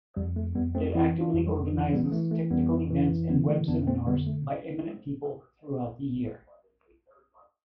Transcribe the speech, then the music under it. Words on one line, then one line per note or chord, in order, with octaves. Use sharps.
It actively organizes technical events and web seminars by eminent people throughout the year.
F2 G3
A3
F2 G3 B3
A3 C4
E3 C4 E4
D4 F4
F2
G3
E3
G3 B3
E3 A3
A3
F2 G3 B3
E3
D3 G3 B3
A3
F2 B3 D4
A3 C4
D3 G3 B3
A3